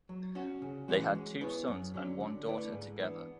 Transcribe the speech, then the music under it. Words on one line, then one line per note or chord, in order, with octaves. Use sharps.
They had two sons and one daughter together.
F#3
C#4 F#4
C#3
E3 G#3 C#4 F#4
G#3
B3 E4 G#4 C#5
F#2
D3 F#3 C#4
D3
A3 E4 B4 D5
G#2
E3 B3 D4